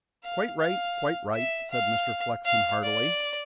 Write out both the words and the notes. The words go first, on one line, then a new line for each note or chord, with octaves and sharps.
"Quite right--quite right," said Mr. Flexen heartily.
F5
F5
E5
F5
F5
D5